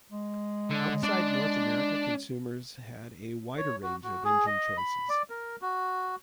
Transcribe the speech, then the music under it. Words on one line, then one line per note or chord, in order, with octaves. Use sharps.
Outside North America, consumers had a wider range of engine choices.
G#3
D3
D4 D5
C#5
F#4
F#4
G#4
D#5
B5
D5
A#4
F#4